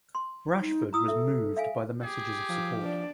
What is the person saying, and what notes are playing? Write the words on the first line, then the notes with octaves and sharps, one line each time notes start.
Rashford was moved by the messages of support.
C6
D#4
E4 A#5 D#6 E6
A4 E5
E5 F5 G#5
G4 G#4
F3
D4 D5